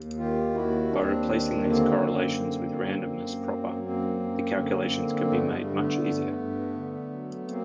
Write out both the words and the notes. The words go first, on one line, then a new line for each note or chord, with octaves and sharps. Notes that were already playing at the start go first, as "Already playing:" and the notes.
By replacing these correlations with randomness proper, the calculations can be made much easier.
Already playing: D#2
D#3 F4 G4
D#2 E4 F#4
D#2 C4 D4
D#3
D3 A#3 C4
F#2
D3
F#2
F#2
F#3
F#2 A#3 C4
F#2
D3
D3
G2 A3 B3
G#3
G3 A3
D3
A3 B3
G2
G2
D3
F#3
F#3 A#3 C4